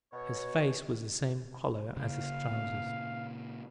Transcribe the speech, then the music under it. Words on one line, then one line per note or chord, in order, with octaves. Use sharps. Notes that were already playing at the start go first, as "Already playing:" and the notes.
His face was the same color as his trousers.
B2 C#5
C#3 A#3 F5
A#2 C#3